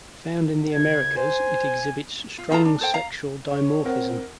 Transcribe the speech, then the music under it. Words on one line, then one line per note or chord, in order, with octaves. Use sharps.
Found in the Americas, it exhibits strong sexual dimorphism.
D#2 C#3 G#6
C5 G#5
F4
D#4 F4 A4 A#5
D4
A4 C5 G5
F5 A#5
C#5
C4 A#4 F#5